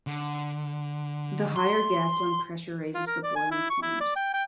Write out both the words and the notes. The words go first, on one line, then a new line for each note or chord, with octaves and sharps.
The higher gasoline pressure raises the boiling point.
D3
C6
F4
A#4
D5
G#5
E4
C#6
E4
D5
G5
G5